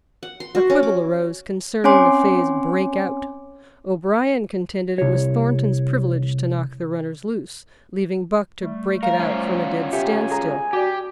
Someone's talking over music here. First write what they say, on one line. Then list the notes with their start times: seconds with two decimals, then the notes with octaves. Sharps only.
A quibble arose concerning the phrase "break out." O'Brien contended it was Thornton's privilege to knock the runners loose, leaving Buck to "break it out" from a dead standstill.
0.23 F#5
0.40 C6
0.55 F#4
0.70 C#4
0.83 D6
1.84 C4 C#4 C#5 G#5 C6 D6
4.98 C2 C#5
8.61 G3 A3
9.03 A#4 F5
9.19 C#4 F4 A#4 C5
9.93 G4 E5 G#5
10.31 G#4 A#5
10.73 F#4 G4 D5